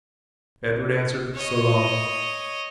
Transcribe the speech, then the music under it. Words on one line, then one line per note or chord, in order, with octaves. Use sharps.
Edward answered: "So long."
C#5 D#5